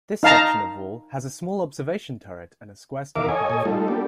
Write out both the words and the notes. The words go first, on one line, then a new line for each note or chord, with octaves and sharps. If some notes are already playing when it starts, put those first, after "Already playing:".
This section of wall has a small observation turret and a square stone platform.
D#4 F5 A5 A#5
E2 D#3 A#4 E5 F5 D6
A4 C#5 D#5 G#5
A#2 A4 C#5 D#5 G#5
G3 A3 D#4 F4 A4
A#3 B3 D4 G4 A4